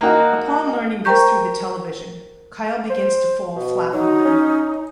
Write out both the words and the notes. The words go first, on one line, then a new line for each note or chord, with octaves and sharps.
Upon learning this through the television, Kyle begins to fall flat-line.
A#3 D#4 F#4
A#4 C5 G5 A#5 C#6 G6
C5
B2
F#3 D#4
C#4